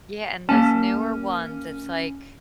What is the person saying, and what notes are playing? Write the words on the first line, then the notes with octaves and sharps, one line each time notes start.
Yeah, and those newer ones, it's like
A#3 C#4 A5